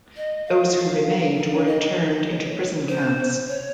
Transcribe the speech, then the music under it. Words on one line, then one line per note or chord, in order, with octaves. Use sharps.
Those who remained were interned into prison camps.
D#5
F5
F5
F5
C#5
D#5
C#5
C5
C#5